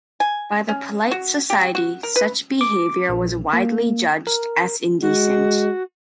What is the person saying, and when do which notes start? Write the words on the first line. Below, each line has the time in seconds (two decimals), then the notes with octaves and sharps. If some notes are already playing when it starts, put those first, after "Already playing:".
By the polite society, such behaviour was widely judged as indecent.
0.20 G#5
0.69 C#4
1.11 F#4
1.50 G4
1.75 F#4
2.03 A#4
2.16 B4
2.61 D6
3.09 A#1
3.53 A#3
4.27 A#4
5.02 G#3 F#4